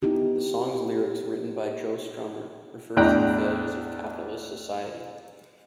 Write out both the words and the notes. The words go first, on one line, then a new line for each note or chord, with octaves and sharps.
The song's lyrics, written by Joe Strummer, refers to the failures of capitalist society.
B3 D#4 E4 G4
E2 A2 D4 G5 A#5 F#6